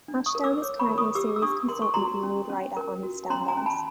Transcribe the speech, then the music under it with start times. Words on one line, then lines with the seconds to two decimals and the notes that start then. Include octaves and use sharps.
Ashdown is currently series consultant and lead writer on EastEnders.
0.08 D4
0.26 C#6 D#6
0.35 A#4
0.44 D6 E6
0.62 C#5
0.79 B5 C#6
0.89 A#4
0.98 C#6 D#6
1.15 G4 D6 E6
1.36 E6
1.42 D4 C#6 D#6
1.69 A#4 C6
1.82 C#6
1.94 F#4 A#5 C6
2.23 C#4
2.50 C#4
2.77 A#4
3.03 F#4
3.30 C#4 A#5 C6
3.48 G#5 A#5
3.57 C#4
3.66 A5 B5